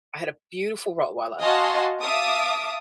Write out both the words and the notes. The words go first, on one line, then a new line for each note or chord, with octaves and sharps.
I had a beautiful Rottweiler
F#4 D#5 F5 G#5 A5 C6
E5 F5 A5 D6 D#6